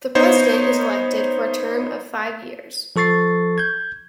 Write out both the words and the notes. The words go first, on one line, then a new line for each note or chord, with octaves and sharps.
The President is elected for a term of five years.
B3 D#4 C5 C#5
F3 A4 C#6 A6 C7
G6 G#6